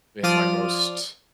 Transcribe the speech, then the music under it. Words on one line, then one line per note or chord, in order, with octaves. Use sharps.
in my most
F3 F4 D5 D#6 F6 D#7